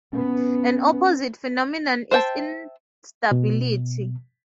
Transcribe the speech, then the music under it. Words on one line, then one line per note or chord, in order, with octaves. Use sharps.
An opposite phenomenon is instability.
B3 C#4
C5 E5 G5 A5
B2